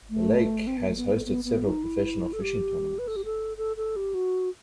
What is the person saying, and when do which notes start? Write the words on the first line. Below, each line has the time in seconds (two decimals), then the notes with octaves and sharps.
The lake has hosted several professional fishing tournaments.
0.10 A3
0.67 C4
0.77 B3
0.88 A3
0.97 B3
1.26 B3
1.45 B3
1.65 D#4
1.83 E4
2.33 A4
2.42 G4
2.99 B4
3.08 A4
3.16 G4
3.25 A4
3.57 A4
3.77 A4
3.96 G4
4.14 F#4